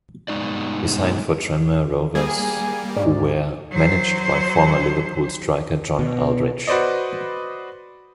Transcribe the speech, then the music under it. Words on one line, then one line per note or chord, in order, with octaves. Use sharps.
He signed for Tranmere Rovers who were managed by former Liverpool striker John Aldridge.
G2 B2 G#3 D#4 D5
G3 A#3 G#4
G#2 D5
F#3 C5
B2
F#4 B4 C5 D5 D#5